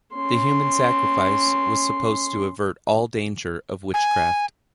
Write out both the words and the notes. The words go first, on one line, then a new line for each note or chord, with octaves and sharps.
The human sacrifice was supposed to avert all danger of witchcraft.
C#4 C6
G#5